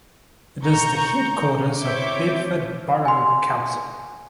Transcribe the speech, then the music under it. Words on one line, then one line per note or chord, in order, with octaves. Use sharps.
It is the headquarters of Bedford Borough Council.
A#5 C#6 G6
C4 E4 C#5 E5 D6 G6
G#5 C6